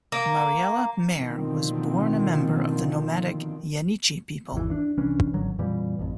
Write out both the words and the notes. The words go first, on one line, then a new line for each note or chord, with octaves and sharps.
Mariella Mehr was born a member of the nomadic Yeniche people.
A#3
B2 D3 D#3 F3 A#3 C4
G#1 E2 E3
D4
C2 E3 C#4 D4
G#1 D3 F#3
F2 A#2 E3 G3
A1 F2